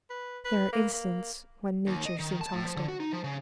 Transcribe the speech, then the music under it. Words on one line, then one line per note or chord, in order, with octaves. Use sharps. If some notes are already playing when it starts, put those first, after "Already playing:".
There are instants when nature seems hostile.
B4
B4
A#3
A#3
D#2
D#5
D#3
A5
A2
F3
D3
F#4
D#4
F3
C#3